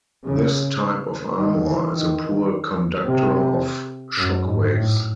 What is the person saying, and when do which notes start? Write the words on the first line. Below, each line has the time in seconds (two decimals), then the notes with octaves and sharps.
This type of armour is a poor conductor of shock waves.
0.25 C#3
1.36 D#3
1.65 E3
1.93 D#3
3.05 C3
4.17 F#2
4.45 G#2
4.73 A2